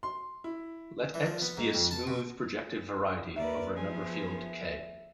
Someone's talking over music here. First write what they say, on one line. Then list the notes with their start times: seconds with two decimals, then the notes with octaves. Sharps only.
Let "X" be a smooth projective variety over a number field "K".
0.03 C6
0.44 E4
1.14 E3
1.26 F3
1.42 B3
1.57 G#2
1.74 F2
1.91 A5
2.07 B2
3.36 D#2 A#4 B4 D5 E5
3.74 F3 B3 G#4 G#5